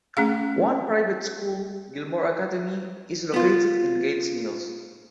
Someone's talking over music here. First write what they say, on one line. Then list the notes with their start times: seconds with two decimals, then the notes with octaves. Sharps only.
One private school, Gilmour Academy, is located in Gates Mills.
0.17 A3 C#4 G#4 F5
3.34 B3 F4